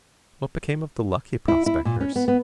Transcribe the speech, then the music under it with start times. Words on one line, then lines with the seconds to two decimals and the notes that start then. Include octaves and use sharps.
What became of the lucky prospectors?
1.48 E4
1.66 E4
1.85 A#2
2.00 C#4
2.16 B3
2.28 B3